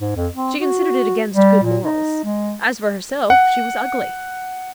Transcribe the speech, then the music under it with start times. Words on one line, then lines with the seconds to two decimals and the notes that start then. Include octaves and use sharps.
She considered it against good morals. As for herself, she was ugly.
0.01 G#2
0.16 F2
0.35 C4
0.60 F#4
1.34 G3
1.63 A#2
1.83 D#4
2.24 G#3
3.30 F#5